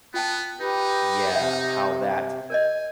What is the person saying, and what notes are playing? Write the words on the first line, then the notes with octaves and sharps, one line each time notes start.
yeah, how that
B3 F4 G5 A5
D#4 G4 B4
C3 E5 F#5
A#4 C#5 D#5 G#5